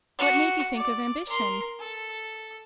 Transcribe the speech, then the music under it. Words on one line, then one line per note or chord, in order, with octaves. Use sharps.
What made you think of ambition?
F#4
D5
A#4 C6
A4